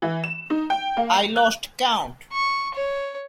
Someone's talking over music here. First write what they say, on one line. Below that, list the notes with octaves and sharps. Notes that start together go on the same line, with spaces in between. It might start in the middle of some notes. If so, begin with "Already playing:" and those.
I lost count.
E3
E7
D#4
G5
A#3
F7
F#6
C#6
C#5